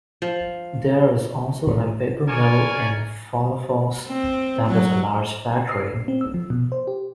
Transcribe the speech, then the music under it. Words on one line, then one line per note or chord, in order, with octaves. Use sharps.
There is also a paper mill in Follafoss that is a large factory.
F3
A2
A#4 C#5 D5 G#5
C4
F#3
C7
A#2
C4
E6
F3
B2
C5
G4